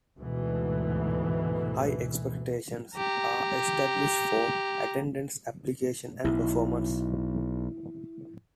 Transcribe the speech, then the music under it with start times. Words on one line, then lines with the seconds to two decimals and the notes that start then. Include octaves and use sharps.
High expectations are established for attendance, application and performance.
0.17 D2 G#2 B2 E3
2.96 G4 A#5
6.24 B1 E4